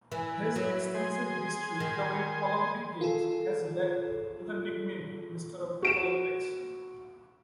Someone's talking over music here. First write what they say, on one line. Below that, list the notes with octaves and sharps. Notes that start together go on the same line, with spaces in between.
His extensive history covering Olympic Games has led to the nickname "Mr Olympics".
E3 E4 B4
F#3
G#4 G#5 C6
D#3
F4 G#4 A4
F#4 D7 E7